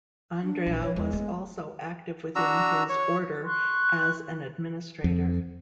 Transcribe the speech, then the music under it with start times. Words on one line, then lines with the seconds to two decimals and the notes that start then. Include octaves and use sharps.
Andrea was also active within his order as an administrator.
0.43 D4
0.66 A#1
0.82 F3 C#5
0.96 E2 G#3
1.13 A3 B3
2.36 D4 F#4 A#5 E6
2.89 C#5
3.44 C6 C#6 F#6
5.04 F2